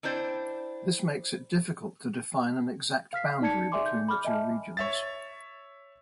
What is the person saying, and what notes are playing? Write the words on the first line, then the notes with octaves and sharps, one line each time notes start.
This makes it difficult to define an exact boundary between the two regions.
C4 D4 E4 C5 D5
F5 F6 B6 C7
D#4 D5 A5 G#6 C#7
G#4 D5 E5 G#5 C6 D6
G6
B5 D6 F6
D#5 E5 G#5 A5
C#5 E5 A6